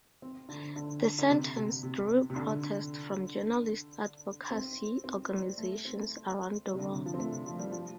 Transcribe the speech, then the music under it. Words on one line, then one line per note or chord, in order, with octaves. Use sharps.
The sentence drew protest from journalist advocacy organizations around the world.
C4
D3
D3
D3
C3
C3
C3
C3
D3
C4
C4
G3
A3
C4
G3
C3
D3
C3
F3
C4
A3
C3
F3
G3
F3